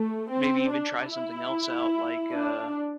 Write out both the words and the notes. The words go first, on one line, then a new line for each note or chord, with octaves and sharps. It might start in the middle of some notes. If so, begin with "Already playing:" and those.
maybe even try something else out like, uh
Already playing: A3
C4
D4
E4
D4